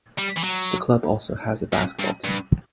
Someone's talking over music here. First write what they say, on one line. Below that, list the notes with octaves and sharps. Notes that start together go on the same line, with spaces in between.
The club also has a basketball team.
G3
E3
F#3
F#2
G2
G2